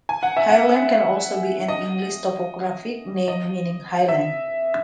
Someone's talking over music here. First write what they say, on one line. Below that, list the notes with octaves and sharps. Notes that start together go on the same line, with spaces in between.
Hyland can also be an English topographic name meaning "high land".
G#5
F#5
E5
F#5
D#5
D#5
E5